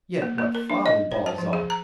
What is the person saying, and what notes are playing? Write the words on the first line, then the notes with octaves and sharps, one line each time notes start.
Yet what folly balls are!
A#3
A#3
A#4
D4
D#5
C5
A5
F3
G#4
A#5